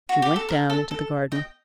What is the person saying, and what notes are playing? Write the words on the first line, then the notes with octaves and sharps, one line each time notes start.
She went down into the garden.
F#4
G4
A4
A#4
A4
A4
D#5 G5